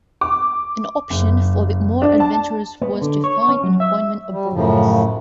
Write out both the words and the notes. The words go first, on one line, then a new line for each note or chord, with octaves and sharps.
An option for the more adventurous was to find an appointment abroad.
D6
F#1
D4
A5
B3
D3
C#5
C#4
F#3
E5
G3
F#2 A2 C#3 F3